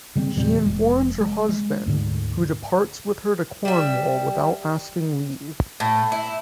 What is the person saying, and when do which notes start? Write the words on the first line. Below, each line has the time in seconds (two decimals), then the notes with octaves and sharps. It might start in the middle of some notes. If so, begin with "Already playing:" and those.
She informs her husband, who departs with her to Cornwall without asking leave.
0.16 C#3 G3 G#3 C4
0.36 E2 A#2 E3 G3
0.66 F1 G#3
1.21 G#3
1.49 G#3
1.86 D2 G#2 D3
3.65 G3 E5
5.80 A2
6.12 E4